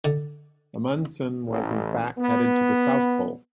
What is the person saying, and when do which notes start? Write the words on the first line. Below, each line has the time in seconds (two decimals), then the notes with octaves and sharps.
Amundsen was, in fact, headed to the South Pole.
0.05 D3
1.48 A1
2.19 B3